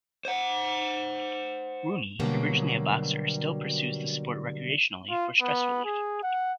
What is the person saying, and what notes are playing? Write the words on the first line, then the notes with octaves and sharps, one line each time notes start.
Rooney, originally a boxer, still pursues the sport recreationally for stress relief.
C5 F#5
B2 D3 F#3 G3 A#3 G4
F4
B3
G#4
F#5